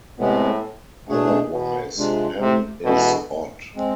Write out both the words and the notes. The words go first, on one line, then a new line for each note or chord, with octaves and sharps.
Otherwise "n" is odd.
A2 C3 G#3 B3
B2 A3 D4 G#4
B2
C3 G#3 D4 F4
C3
B2 E3 G#3 D4 A4
G#3 C4